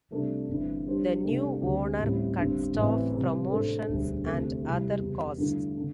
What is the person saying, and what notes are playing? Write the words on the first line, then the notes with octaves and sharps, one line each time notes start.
The new owner cut staff, promotions and other costs.
C2 C3 A3 D4
G1 G2 E3 C4 E4
G2 G3 D4 G4 C5
C2 C3 A3 D4
D2 D3 C4 G4
A1 A2 G3 C4 E4
G1 G2 G3 C4
A1 A2 E3 C4
C3 E3 G3
A2 A3 D4 A4 C5
E1 D2 D3 G3
D2 C3 A3 C4
C2 C3 G3 E4 G4
E2 C3 E3
G2 D3 A3 E4
D3